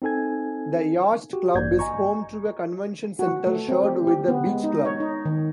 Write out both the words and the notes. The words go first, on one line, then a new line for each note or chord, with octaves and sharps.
The Yacht Club is home to a Convention Center shared with the Beach Club.
C4 D#4 A4 G#5 G#6
F#4 G4
A1 G2 A#3 D5 G6 G#6
D#5 G#5 A#5 C#6
F#4
A3
C4
G4
G4
B3
G#3
D#4
C#5
D#4
D#3